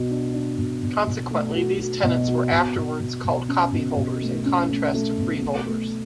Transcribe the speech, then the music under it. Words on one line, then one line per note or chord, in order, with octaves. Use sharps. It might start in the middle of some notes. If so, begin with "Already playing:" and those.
Consequently, these tenants were afterwards called copyholders, in contrast to freeholders.
Already playing: B2 F#4
D4
D4
B2
B2
B2
A3
F#4
F#4
B2
F#4
B2
B2
B2
B2
C#4
B2
B2
A3
C#4
A3
A3
B2
A3
A3